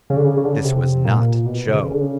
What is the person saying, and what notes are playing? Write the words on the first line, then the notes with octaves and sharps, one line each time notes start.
This was not Joe.
C#3
D3
C#3
C#3
D3
C#3
C3
A#2
B2
D3
C#3
D3
C#3